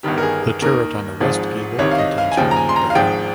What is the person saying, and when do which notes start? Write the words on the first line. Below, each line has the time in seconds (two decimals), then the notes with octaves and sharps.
The turret on the west gable contains one bell.
0.03 G1 G2 D#3 G4
0.18 A#4
0.23 G#4
0.42 G#4
0.62 D#2 D#3 A#4
1.20 G#1 G#2 F3
1.79 C2 C3 D#3 C#5
1.91 F5
1.98 D#5
2.18 F5
2.32 G#5
2.37 D#2 C#3 F3 G5
2.51 A#5
2.56 G#5
2.69 C6
2.76 A#5
2.90 F5
2.95 G#1 G#2 F3 G5